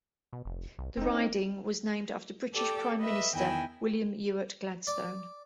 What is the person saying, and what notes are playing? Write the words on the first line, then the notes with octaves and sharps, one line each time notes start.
The riding was named after British Prime Minister William Ewart Gladstone.
B2
F1
C2
F1 C4 D#4
C#4
G4 A4 D5 G5 D6
B4 D#5 E5
E2 D#3 E4 G5 G#5 A#6
D5